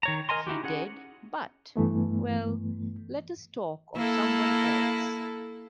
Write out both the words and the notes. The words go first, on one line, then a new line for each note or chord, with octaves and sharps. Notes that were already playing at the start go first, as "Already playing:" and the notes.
He did, but — well, let us talk of some one else.
D#3 C#5 A#5
A#4 D#5 G#5 A#5 C6
D#4 E4 F#4 G4
C#4 G#4 F#5
G2 E3 A3 B3
A#3 E4 A4